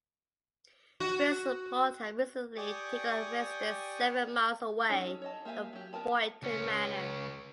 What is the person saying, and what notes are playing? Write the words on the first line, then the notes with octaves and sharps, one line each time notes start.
Prince Leopold had recently taken up residence seven miles away at Boyton Manor.
F#4
G4 D5 G5 G#5 C#6 D#6
F#3 C#4 D#4 A4 C#5
C#5 D#5 A5
A#3 G4 E5 F5 G#5
F#3 G4
B3 A#4 G#5 A5 B5
C#2 C#4